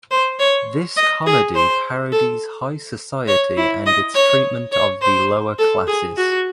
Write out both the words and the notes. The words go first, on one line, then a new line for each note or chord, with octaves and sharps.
This comedy parodies high society and its treatment of the lower classes.
C5
C#5
D#5
G#4
C5
A4
C#5
E4
D#5
C#5
C#5
C5
A4
G#4
F#4